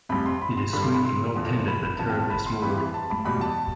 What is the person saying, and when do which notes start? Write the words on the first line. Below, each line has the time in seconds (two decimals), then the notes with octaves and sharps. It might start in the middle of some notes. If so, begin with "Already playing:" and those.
It is sweet and well tendered but terribly small.
0.09 F2 C3 G3 B5
0.26 C6
0.42 B5
0.57 C6
0.73 G2 D3 G3 B5
0.83 C6
0.94 B5
1.05 C6
1.36 E2 D3 F3
1.68 B5
1.83 B5
1.99 E2 C3 F3 A5
2.10 G5
2.20 A5
2.30 B5
2.46 C6
2.62 F2 E3 G3 B5
2.78 B5
2.94 A5
3.10 B5
3.25 E2 B2 G3 B5
3.41 A5